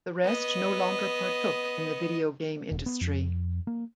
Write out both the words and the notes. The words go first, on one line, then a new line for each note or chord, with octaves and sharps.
The rest no longer partook in the video game industry.
B3 D#5
E1
B3
F2
A#3